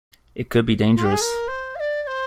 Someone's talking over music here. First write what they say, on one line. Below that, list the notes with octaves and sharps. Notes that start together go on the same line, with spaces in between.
It could be dangerous.
F4
G4
G#4
A#4
C5
F5
D5
D5
C5